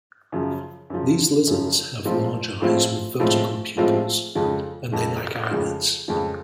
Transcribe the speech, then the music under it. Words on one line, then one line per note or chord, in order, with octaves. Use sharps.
These lizards have large eyes with vertical pupils, and they lack eyelids.
F#2 C#3 F3
F#2 C#3 F3
F#2 C#3 F3
A2 F3 G#3 C4 F4
A2 F3 G#3 C4 F4
A2 F3 G#3 C4 F4
A2 F3 G#3 C4 F4
F2 C#3 F3 G#3
F2 C#3 F3 G#3
F2 C#3 F3 G#3
F2 C#3 F3 G#3